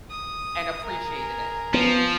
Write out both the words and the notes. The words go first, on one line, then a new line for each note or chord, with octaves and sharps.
and appreciated it.
D#6
G#4 A#4
F3 B3